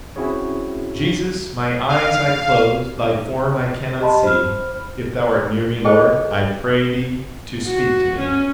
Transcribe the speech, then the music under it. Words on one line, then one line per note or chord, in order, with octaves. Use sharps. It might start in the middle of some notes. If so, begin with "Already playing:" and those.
"Jesus, my eyes I close, Thy form I cannot see; If Thou art near me, Lord, I pray Thee to speak to me."
C4 C#4 E4 F#4 G#4 C#5
F5
G4 D#5 A5 B5 C6
C5 B5 F6
G#4 A4 B4 C5 D#5 G5
F#4
C#4